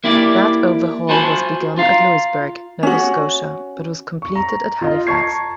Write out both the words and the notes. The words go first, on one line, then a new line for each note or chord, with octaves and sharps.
That overhaul was begun at Louisburg, Nova Scotia but was completed at Halifax.
A#3 E4 G4 D5
F4 F#4 C5 G#5 A5 B5
F4 F5 A#5
C#4 F#4
C#6
A#5
F4 D#5
A5 A#5 C#6 G#6 C7